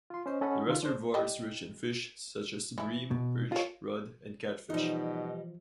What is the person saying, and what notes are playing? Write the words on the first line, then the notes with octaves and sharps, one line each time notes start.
The reservoir is rich in fish such as bream, perch, rudd, and catfish.
F4 C6
C#4 C5 D#5
C#4 A4 D#5 F#5 G#5 B5
D#3 F4
D4 C5
G3 D#5 G5
E3 E4
B2
F4 A#4 C#5
B2 E3 F3 G3 D#4 D#5